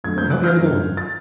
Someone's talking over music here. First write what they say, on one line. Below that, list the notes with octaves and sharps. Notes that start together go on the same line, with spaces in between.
Yeah, hope you have a good one.
F#2 D3 F#3 A3 G#6
G6
F#6
F6 G6
F#2 D3 F#3 A3
A6